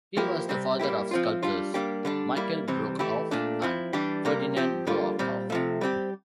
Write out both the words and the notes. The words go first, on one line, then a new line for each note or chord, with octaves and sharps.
He was the father of the sculptors Michael Brokoff and Ferdinand Brokoff.
F3 A#3 E4 G4
C3 G3 C4
G3 A#3 E4 G4
F3 C4 F4
G3 D4 F4
G3 A#3 D4 G4
D3 G3 D4
G3 A#3 E4
C3 E3 G3 C4
E3 A3 E4 G4
A#2 A3 D4
F3 C4 E4
E3 G3 D4 G4
C3 G3 A#3
F3 C4 G4
D3 G3 A#3 F4
A#2 G3 C4
C3 F3 A3
G3 C4 G4